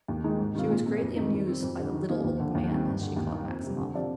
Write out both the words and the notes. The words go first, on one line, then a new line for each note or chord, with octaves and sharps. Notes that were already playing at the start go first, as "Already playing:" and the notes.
She was greatly amused by the "little old man," as she called Maximov.
D#2
D#3 G#3 D#4
G#2
D#3 G3 C4 F4
A#2
G#3 C4
F2
D#3 G3 C4 D#4
D#3
G3 C4
F2
D3 G3
D#3
A#3 D#4 G4
D#2
D3 F3
D#2
D#3 G3 C4 G4
G2
D3 G3
D#2
D#3 A#3
F2
C3 G3
D3
F3 C4 G4 D5